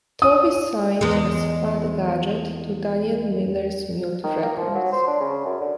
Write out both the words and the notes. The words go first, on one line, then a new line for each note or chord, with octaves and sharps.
Tovey signed as Fad Gadget to Daniel Miller's Mute Records.
D#6
E2 G#3
D#3
A#3
F3
F#3
C5
D4
C#3
F#2
D3